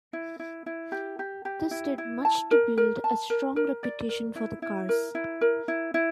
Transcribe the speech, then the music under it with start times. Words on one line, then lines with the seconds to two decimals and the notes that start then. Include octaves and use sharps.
This did much to build a strong reputation for the cars.
0.13 E4
0.39 E4
0.66 E4
0.92 G4
1.19 G4
1.45 G4
1.71 E4
1.98 E4
2.25 A5
2.51 A#4
2.77 A#4
3.04 A5
3.30 A#4
3.56 A#4
3.83 D5
4.09 A#4
4.36 E4
4.62 E4
4.89 A#4
5.15 E4
5.41 A#4
5.68 E4
5.94 E4